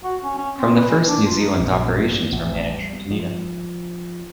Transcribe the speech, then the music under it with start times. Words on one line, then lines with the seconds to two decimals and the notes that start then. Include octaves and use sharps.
From the first New Zealand operations were managed from Dunedin.
0.04 F#4
0.23 C#4
0.38 C#4
0.58 C4
0.75 B4
0.89 E3
1.06 D4
1.26 F4
1.38 D#4
1.60 A#1
2.06 G2
2.32 A1
2.71 G3
3.10 F3